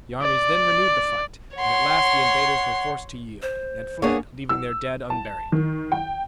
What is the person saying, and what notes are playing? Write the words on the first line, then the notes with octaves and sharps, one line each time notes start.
The armies then renewed the fight, and at last the invaders were forced to yield, and fled, leaving their dead unburied.
D5
C#5 F#5 C6
C5
A#3 B3 D4 G#4 C#5
E6
A5
D#3
G5